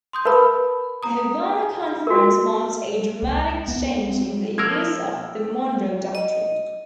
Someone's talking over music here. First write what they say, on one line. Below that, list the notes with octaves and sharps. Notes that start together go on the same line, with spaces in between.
The Havana Conference marked a dramatic change in the use of the Monroe Doctrine.
C6 D#6 G6
A#4 B4 A5 B5
A#5 D#6
F#4 A#4
C#2
B3
C4
F3 A#3 A#4 E6 G#6
D#5